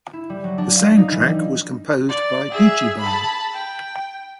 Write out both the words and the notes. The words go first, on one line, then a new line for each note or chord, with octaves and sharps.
The soundtrack was composed by Bijibal.
E4
G3
F#3
D4
F5
D#4
E3
G3
D5
G#4 E5
A5 B5
G5